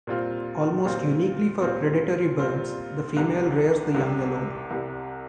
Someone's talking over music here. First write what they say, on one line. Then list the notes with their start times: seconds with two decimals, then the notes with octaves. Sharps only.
Almost uniquely for predatory birds, the female rears the young alone.
0.07 A#2 G3 C4 F4
0.85 A#2 G3 C4 F4
1.62 A#2 G3 C4 F4
2.39 A#2 G3 C4 F4
3.17 C2 C3 G3
3.95 C2 C3 G3
4.71 C2 C3 G3